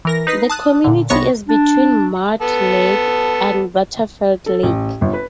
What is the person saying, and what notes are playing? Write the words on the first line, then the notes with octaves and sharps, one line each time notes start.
The community is between Mud Lake and Butterfield Lake.
E3 A#4 A#6
D#4 B4 A#6 C7
A5 D#6 F#6
A#2 D3
C2 C3 B3 C#5 C#6 A#6
D4
B3 A4
A4
A1
G1
B4